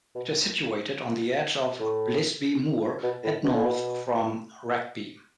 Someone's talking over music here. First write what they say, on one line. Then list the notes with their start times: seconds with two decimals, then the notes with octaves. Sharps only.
It is situated on the edge of Bleasby Moor and north from Wragby.
0.15 B2
1.80 A2
3.03 B2
3.24 A2
3.44 B2
3.54 A2
3.64 B2